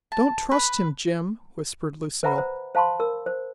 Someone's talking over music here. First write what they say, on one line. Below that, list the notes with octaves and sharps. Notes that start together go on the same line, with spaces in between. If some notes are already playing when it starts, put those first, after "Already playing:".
"Don't trust him, Jim," whispered Lucille.
A5
B4
B4 C5 E5 F#5 A#5 B5
C5
C5 F5 A5 B5 C6
A#4 E6
C5